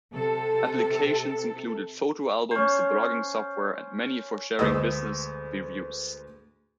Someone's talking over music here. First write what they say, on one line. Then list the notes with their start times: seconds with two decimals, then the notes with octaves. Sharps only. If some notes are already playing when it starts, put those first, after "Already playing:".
Applications included photo albums, blogging software, and many for sharing business reviews.
0.12 C3 A4
2.51 C#4 C5
4.59 D2 G#3 B4 D#5 D#6 E6